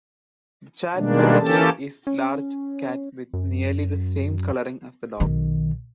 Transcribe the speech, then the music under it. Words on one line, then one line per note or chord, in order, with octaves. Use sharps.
The "chat Bateke" is large cat with nearly the same coloring as the dog.
B2 D#3 G3 G#3 A#3 D4
E3 A#3 C#4 G4 A4 A5
C#4
F#2
B1 D#3